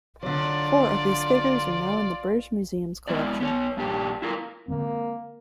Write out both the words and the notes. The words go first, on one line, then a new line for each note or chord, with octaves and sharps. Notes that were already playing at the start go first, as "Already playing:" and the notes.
Four of these figures are now in the British Museum's collection.
D3 F#3 F4 D5
G#3 B3 E4 D5
B3 C#5
G2 A#2 G3 D4 G4
E4 F4 A#4
D3 G#3 A#3 C4